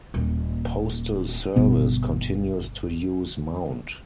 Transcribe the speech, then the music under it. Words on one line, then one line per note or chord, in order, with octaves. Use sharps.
Postal Service continues to use Mount.
D#1 A#3
G1 B2 B3